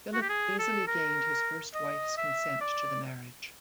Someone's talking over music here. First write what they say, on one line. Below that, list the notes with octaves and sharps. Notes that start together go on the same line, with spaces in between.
Philip easily gained his first wife's consent to the marriage.
F#4
G4
G#4
A4
A#4
D#5
E5
D5